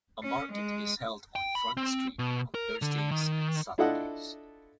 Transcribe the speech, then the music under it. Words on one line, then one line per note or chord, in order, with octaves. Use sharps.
A market is held on Front Street on Thursdays and Saturdays.
C#4
G#3
G5
B5
C4
B2
A#4
D3
D#3
D4 E4 F4 A4 D#5 F#5